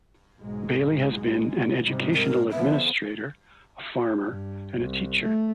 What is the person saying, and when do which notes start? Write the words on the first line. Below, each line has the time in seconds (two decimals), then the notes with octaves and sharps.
Bailey has been an educational administrator, a farmer, and a teacher.
0.39 B1 G#2 G#3
1.84 G#2 C3 G3
2.14 A#4
2.51 D3 F3 B3 E5
4.26 G2
4.75 C2
5.21 A3